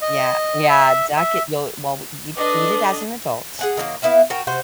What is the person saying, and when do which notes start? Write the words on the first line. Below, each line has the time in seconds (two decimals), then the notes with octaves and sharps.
Yeah. Yeah, duck it you'll well w you'd eat it as an adult
0.01 D#5
0.69 E5
1.17 E5
2.37 D4 A4 B4 D#5 D6
3.59 G#4 F#5 G#5
3.77 D#3 F#3 G#3 A#3
4.02 B3 E4 E5 F5
4.30 F#4 A#4 G5
4.47 C3 F#4 C5